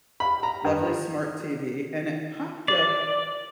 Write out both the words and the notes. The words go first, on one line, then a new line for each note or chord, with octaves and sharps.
lovely smart TV and it popped up
B5
A#5
G2
D5